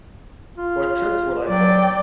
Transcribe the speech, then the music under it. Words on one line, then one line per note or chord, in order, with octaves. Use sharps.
What tricks would I pull?
F4
F#3 D5 G5